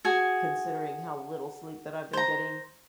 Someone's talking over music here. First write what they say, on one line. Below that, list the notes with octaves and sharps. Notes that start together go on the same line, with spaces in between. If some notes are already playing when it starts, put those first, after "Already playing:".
considering how little sleep that I've been getting
F#4 G#4 G#5
C5 A#5